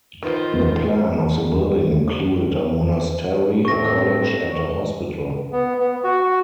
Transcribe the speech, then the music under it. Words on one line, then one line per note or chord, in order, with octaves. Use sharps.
The plan of the building included a monastery, a college, and a hospital.
D#3 D#4 F4 B4 C5
A2 C4 C#6 A#6
B3
B3
F#4
F#4